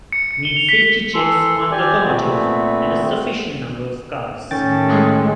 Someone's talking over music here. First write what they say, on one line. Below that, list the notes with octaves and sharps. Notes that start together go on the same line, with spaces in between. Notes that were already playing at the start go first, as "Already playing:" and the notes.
Need safety checks on locomotive and a sufficient number of cars.
C#7
C#7
G7
F7
B6
E3 A4 C6
G4 D5 G#5
A#2 A3 B3 C4
A2 D#3 C#4 G4 A4 G5 A6
G#3